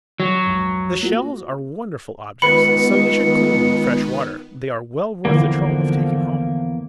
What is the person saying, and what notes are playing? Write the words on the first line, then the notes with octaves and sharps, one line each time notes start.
The shells are wonderful objects, so you should clean them in fresh water; they are well worth the trouble of taking home.
F#3
B1 F2 G#2
A#3 F4 F#4
C#2 D#3 B3 B4 B5 C#7
E2 D3 F3 A#3